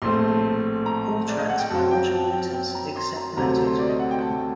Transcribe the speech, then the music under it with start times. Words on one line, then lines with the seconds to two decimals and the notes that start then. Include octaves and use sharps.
All tracks by Roger Waters except noted.
0.02 A#1 A2 A3 C4 C6
0.86 A#5
1.28 D5
1.38 D#5
1.49 F#5
1.59 G5
1.69 F#2 F#3 C4 A5
1.91 G5
2.12 A5
2.32 G5
2.53 G5
2.75 A#5
2.96 C6
3.17 A#5
3.37 D2 C3 F#3 A3 C4 A#5
3.65 C6
3.78 D5
3.89 D#5
3.99 F#5
4.11 G5
4.21 A5